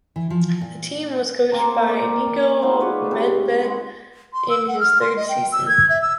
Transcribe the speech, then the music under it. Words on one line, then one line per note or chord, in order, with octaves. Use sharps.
The team was coached by Niko Medved in his third season.
E3
F3
A#2
A#3 C4 A#5
A#4 D5
G#3 B3 D#4 F4
B4 C#5 D5
C3
G#3 F#5 B5
C6
E6
F#5
F6
C6
D#5
G5
E6
G#6
E5
E6